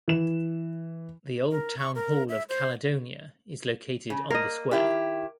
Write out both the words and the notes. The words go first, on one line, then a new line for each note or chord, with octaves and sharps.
The Old Town Hall of Caledonia is located on the square.
E3 E7
A#4
C#6
A#4
E5
C5
C#3
A#3 A#4 D#5
D#3 E4 G4